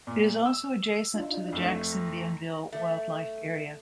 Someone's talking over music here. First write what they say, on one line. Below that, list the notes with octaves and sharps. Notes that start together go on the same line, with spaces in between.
It is also adjacent to the Jackson Bienville Wildlife Area.
A#2
E6
D4 D#4 F4
F2 A3
A#5
A3